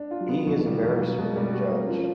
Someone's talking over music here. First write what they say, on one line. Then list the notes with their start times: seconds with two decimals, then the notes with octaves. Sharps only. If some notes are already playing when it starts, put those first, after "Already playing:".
He is a barrister and judge.
Already playing: D4
0.11 F4
0.21 F#3
0.29 B3
0.46 B2 F3
0.60 E3
0.65 G3
0.73 D#3
0.82 B2 E3
1.00 F#3 A#3
1.18 B2 G#3
1.36 G3 A3
1.53 A3 F#4
1.71 A#3
1.80 C#4
1.89 F3